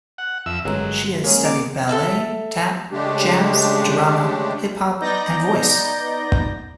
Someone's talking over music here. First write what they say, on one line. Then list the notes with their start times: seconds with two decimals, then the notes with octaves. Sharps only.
She has studied ballet, tap, jazz, drama, hip-hop, and voice.
0.18 F#5
0.46 F2 E5 E6
0.65 G1 F#3 G#3 C#4 A#4
1.24 G#3 A#3 C#4 G#4
1.45 A#4 D#5 D6
1.88 A4 D5 E5 A5
2.92 C#3 G#3 A3 D4 G4
5.00 B3 D#4 D5 G6 A#6